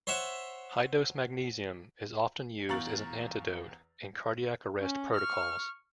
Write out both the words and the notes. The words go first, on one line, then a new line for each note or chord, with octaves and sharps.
High-dose magnesium is often used as an antidote in cardiac arrest protocols.
C5 C#5 E5 F#5
E2 F5 A#5 C#6 A6 F#7
C#4
C#6 F6